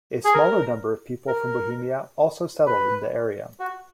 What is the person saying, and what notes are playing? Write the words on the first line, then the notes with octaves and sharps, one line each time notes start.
A smaller number of people from Bohemia also settled in the area.
G#4
A#4
A#4
B4
F#4